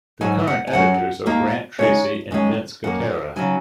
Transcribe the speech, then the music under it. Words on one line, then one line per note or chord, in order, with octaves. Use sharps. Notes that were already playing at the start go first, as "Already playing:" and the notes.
The current editors are Grant Tracey and Vince Gotera.
G#2 F#3 D#4 G#5
F#5
G#5
F#2 F#3 C#4 F#5
D#2 D#3 A#3 D#4
C#3 G#3 D#4 C#5
F#2 D#3 G#3 C#4
F#2 D#3 A#3 F#5
C#3 F#3 D#4 G#5